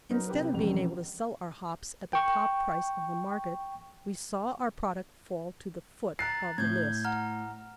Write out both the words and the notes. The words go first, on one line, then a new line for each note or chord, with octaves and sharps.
Instead of being able to sell our hops at the top price of the market, we saw our product fall to the foot of the list.
F#3 B3 D#4 A#4 C5
C3 G4 B4
E1 F2 C#3 G4 F7
G5 C#6
A#5 F#6 A6 C7
A2 G6 G#6
F#5 A#5 F6